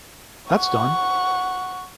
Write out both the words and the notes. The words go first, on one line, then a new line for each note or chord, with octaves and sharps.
That’s done.
F#5 C#6